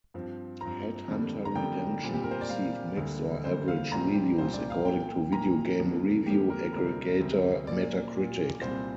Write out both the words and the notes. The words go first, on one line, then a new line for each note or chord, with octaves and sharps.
"Headhunter Redemption" received "mixed or average" reviews, according to video game review aggregator Metacritic.
G2 F3 C4
G2 F3 C4 A#5
F2 D3 G3 A#3
A#5
F2 D3 G3 A#3 G5
A#2 G3 C4
G4
A#4
C5
D5
A#2 G3 C4 F5
D2 D3 G3 A#3
D2 D3 G3 A#3 C5
F5
C2 A#2 G3 C4 A#5
G4
C2 A#2 G3 C4 C5
D5
F5
A#2 A#3 G5
A#2 A#3 A#5
F2 D3 A#3
F2 D3 A#3 G4
A#4
D2 C3 G3 C4 A#4
D2 C3 G3 C4
A#2 A#3 D5
A#2 A#3
C2 A#2 G3 C4 C5